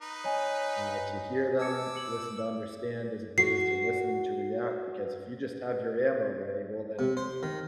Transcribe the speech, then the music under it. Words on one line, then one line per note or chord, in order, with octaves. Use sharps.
uh, to hear them, listen to understand, as opposed to, listening to react, because if you just have your ammo ready, well then,
D#4 B4
C#5 D#5 G#5
A5 D6 E6 G#6 C#7
C#7 F#7
F#4 C7
C3
C5
D#3